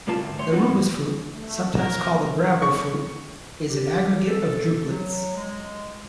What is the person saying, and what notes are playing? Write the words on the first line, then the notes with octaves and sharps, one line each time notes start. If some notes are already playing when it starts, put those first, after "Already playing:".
The "Rubus" fruit, sometimes called a bramble fruit, is an aggregate of drupelets.
C#2 A2 A#3 F4 A5
D2 G#2
A3 C#5 C6
E3 F#3 B3 D#4 F4 F#4
G#2
A3
A#4
C#6
G4
A4
F#3
G#3